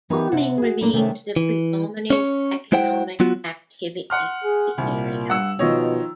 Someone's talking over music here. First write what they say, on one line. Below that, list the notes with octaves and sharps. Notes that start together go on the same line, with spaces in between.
Farming remains the predominant economic activity of the area.
E3 B3 D#4 A#4
C3 F#5 A5
F#4 G#4
A#2 A#3 D4 E4
C3 D#3 G#3 A3 C#4
E3
C#4 C#5
G#3 E4 C5 F#5 G5
F#3 B3 F4 F#4
F#5 C6 F6
G#4
C2 A#2
G2 F#5 E6
B2 D#3 F3 C#5 D#5